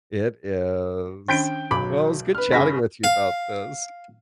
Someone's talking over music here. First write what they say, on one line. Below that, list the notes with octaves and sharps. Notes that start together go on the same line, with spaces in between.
It is. Well, it was good chatting with you about this.
D#3 C#4 D4 G5 G6 D7
B1 F#3 B5 D6
B4 F6
G2 C#3 B5 A#6 B6
F5